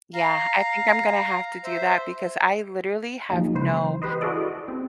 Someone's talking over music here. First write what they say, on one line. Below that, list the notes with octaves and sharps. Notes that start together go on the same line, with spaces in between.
Yeah, I think I'm gonna have to do that because I, literally, have no
F5 A#5
C5 E5
F3 F#3 G#3 A#3 D#4
C#3 E3 B4 C5
G4 B4 C5 D#5
E4 F#4 G#4 A4 D5 D#5
C4